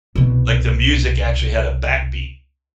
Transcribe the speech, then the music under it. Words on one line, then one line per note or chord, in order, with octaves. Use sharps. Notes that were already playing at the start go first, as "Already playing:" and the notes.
Like the music actually had a backbeat.
C2 B2